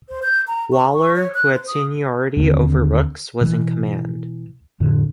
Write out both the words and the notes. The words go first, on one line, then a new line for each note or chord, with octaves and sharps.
Waller, who had seniority over Rooks, was in command.
C5
G6
A#5
C#6
C#6
C#5
F#6
C5
D#6
D#2 D3 F#3 C4
B2 E3
F2 A2 D3